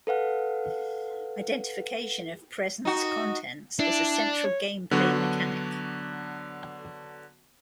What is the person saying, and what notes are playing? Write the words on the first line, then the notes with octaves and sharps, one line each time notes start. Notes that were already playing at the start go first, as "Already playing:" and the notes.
Identification of presents' contents is a central gameplay mechanic.
A4 B4 F5 F#5
D#4 F#4
D4 E4
C#5
D3 F#3 B3 D4 F#4